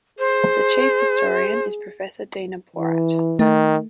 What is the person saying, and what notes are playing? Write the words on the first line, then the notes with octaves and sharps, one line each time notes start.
The Chief Historian is Professor Dina Porat.
G#4 C5
E3
D#3 A3